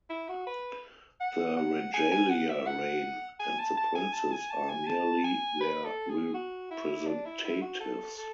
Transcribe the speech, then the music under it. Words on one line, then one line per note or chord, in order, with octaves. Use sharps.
The regalia reign, and the princes are merely their representatives.
E4
F#4
B4
F#5
F#5
G#5
G#5
F#5
E5
F#5
G#5
A5
A5
G#5
A5
G#5
A5
G#5
A5
G#5
B4
A4
G#4
F#4
E4
D4
E4
E4
F#4
A4
A4